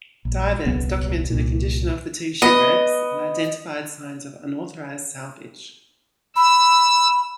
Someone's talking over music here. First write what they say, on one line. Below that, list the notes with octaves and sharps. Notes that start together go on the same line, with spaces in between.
Divers documented the condition of the two shipwrecks, and identified signs of unauthorised salvage.
A#1
D#1 C2 F#3 B3
C2 A#2
B3 D#5
B5 E6